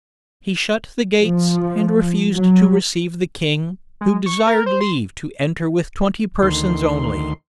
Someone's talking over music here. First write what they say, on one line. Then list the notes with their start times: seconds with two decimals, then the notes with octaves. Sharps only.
He shut the gates, and refused to receive the king, who desired leave to enter with twenty persons only.
1.21 F3
2.33 F#3
4.01 G#3
4.26 C#6
4.47 A#4
4.66 C5
4.81 C6
6.42 D2 D#3 C6